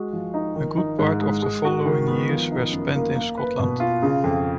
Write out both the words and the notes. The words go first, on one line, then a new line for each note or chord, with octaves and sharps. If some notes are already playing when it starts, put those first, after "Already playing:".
A good part of the following years were spent in Scotland.
Already playing: G#3 F#4
F3
D#4
D#3
D#4
G#2
G#3
G#3
F#4
D#3
B3
F3
D#4
F#2
A#3
A#3
B4
B2
F4
C#3
F2